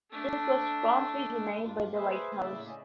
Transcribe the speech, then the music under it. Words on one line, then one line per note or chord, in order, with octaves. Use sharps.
This was promptly denied by the White House.
A3 D4
G2 D4 F4
G#4 B4 C5 E5
A2 C#3 D5 E5
C#4 D#5